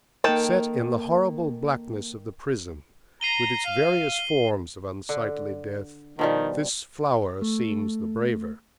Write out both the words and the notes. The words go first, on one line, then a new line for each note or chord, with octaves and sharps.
Set in the horrible blackness of the prison, with its various forms of unsightly death, this flower seems the braver.
D#3 A#3 A4 A#4 G5 A5
A#5 C7 D#7 G7
F5
G7
D3
B2 D#3 F3 G3
A3